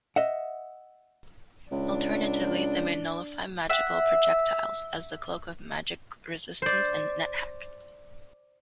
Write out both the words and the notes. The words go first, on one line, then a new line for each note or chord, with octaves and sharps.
Alternatively, they may nullify magical projectiles, as the "cloak of magic resistance" in NetHack.
D#5 E5 F#5
C#2 D4
E5 F#5
C5 D5